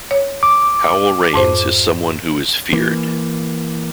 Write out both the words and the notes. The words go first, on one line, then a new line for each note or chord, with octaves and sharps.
Howell Raines is someone who is feared.
C#5
D6
F2 G#2 C5
E3 A#3